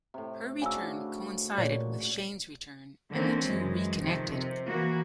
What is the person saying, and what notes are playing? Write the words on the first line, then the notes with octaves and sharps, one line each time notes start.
Her return coincided with Shane's return and the two reconnected.
A2 C3
C#3 D4 F#4 G#5 E6
A#2 C#5 D5
D3 E3 A#3 C4 C#4
F#2 E3 G#3
F2 C3 D#3 F3
C3
E3 A#3 F#4